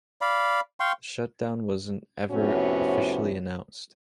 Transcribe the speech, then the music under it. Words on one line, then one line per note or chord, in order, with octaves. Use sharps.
The shutdown wasn't ever officially announced.
D5 F5 B5
F5 G5 C6 C#6
F2 A2 C3 B3 C#4 F#4